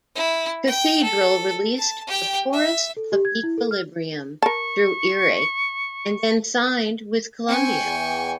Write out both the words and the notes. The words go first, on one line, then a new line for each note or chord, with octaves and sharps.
Cathedral released "The Forest of Equilibrium" through Earache and then signed with Columbia.
E4
G5
A4
A5
G4 G5
E5
A4
G4
G#6
E4
A4
F6
A#4 A5 C#6
C4 G5 G#5 C#6
E2